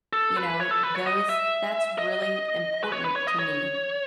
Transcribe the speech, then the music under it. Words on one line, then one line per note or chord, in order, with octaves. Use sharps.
You know, those that's really important to me
A4
B4
C#5
A4
B4
C#5
D#5
E5
D#5
D#5
B4
C#5
B4
C#5
D#5
C#5